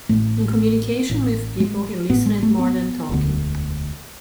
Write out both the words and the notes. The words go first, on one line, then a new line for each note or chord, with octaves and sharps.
In communication with people he listened more than talking.
A1 A2 A3
A1 A2
G#3
A1 A2 B3
G#3
A3
B3
E1 D2 D3